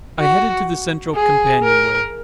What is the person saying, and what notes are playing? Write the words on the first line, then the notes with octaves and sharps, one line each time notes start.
I headed to the central companionway.
F#4
G#4
A#4